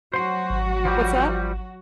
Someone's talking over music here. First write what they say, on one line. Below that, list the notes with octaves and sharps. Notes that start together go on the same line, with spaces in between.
What's that?
F#3 F#4 C5 C6
G#1
F3 G3 G4